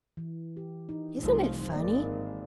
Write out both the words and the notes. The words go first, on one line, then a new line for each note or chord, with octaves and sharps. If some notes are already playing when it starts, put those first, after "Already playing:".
Isn't it funny?'
E3
G4
D#4
F1 C2 F3
G#1 A#3 D5 D#5